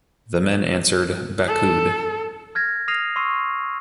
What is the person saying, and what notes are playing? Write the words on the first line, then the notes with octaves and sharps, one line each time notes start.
The men answered "bakood".
A4
F6 G#6 A#6
D#6 F6 A#6 C7 D#7 F7
C6 C#6 E6 C7 D#7